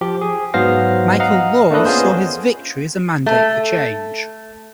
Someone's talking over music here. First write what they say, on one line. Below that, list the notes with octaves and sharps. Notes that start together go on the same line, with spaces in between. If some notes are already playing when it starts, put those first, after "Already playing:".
Michael Laws saw his victory as a mandate for change.
F3 G4
G#4
G#2 F#3 B3 C5 F5 A#6
D#5 F5 F#5 A#5
A3 A#3 D4 A4 B4 D#5
B3 C#4 F4 G#4 C5
A3